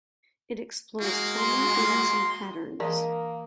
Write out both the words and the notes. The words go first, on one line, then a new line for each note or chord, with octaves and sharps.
It explores common themes and patterns.
G#3 A#3 F#4
C6
E3 G#3 A#3 D4 A#4 A#5 D#6